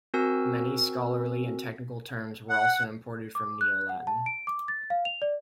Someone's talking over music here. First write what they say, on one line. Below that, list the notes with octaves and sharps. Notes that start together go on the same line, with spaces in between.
Many scholarly and technical terms were also imported from Neo-Latin.
C4 F#4 A#4 G#5 E6
F#5
D6
F#6
F#5
A5
D7
D6
A6
F5
F7
D5